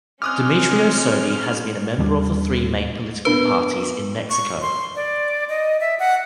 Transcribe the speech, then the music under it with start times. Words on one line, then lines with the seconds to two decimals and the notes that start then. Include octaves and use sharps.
Demetrio Sodi has been a member of the three main political parties in Mexico.
0.22 G#3 C4 C#4 D6 D#6 F6 F#6
1.98 D#2 G3 G#3 D4
3.25 B3 D4 A#4 B4
4.30 C#6
4.62 C6
4.96 D5
5.49 D#5
5.81 E5
5.99 F#5